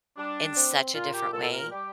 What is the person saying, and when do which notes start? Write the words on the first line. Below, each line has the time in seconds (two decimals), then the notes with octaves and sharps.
in such a different way.
0.17 G3 D4
0.56 C4
0.94 A#2 F4
1.13 G4
1.33 A#2 A4
1.52 A#4
1.72 G3 G4